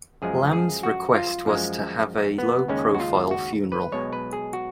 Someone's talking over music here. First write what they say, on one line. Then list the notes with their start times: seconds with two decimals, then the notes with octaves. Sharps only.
Lam's request was to have a low-profile funeral.
0.22 F#2 F3 G#3 G#4
0.53 G#4
0.83 F#4
1.15 F4
1.45 F#2 F3 G#3
2.38 B3
2.68 D#2 C#3 G#3 C#4
2.95 F#4
3.00 F4
3.31 F#4
3.72 B4
3.92 B1 B2 G#3 C#5
4.13 B4
4.33 G#4
4.53 F#4